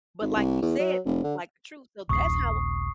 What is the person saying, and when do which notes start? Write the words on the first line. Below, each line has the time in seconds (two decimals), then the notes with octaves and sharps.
But like you said, like, the truth so, that's how
0.21 G#1
0.36 C2
0.62 E2
0.79 F#3
1.06 F1
1.24 D3
2.09 D#1 A#1 C#6 D#6 C7